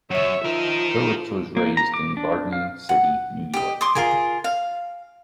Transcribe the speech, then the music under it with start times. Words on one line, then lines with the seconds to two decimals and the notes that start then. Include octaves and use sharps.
Phillips was raised in Garden City, New York.
0.11 F#2 C#5 E5
0.46 F3 D#4 A#4
1.57 A#3
1.77 A#5
1.94 D6
2.17 D4
2.53 F5
2.89 F#5
3.54 G4 D#5
3.81 C6 D6 D#6
3.95 F4 G#4 A#4 G#5
4.44 F5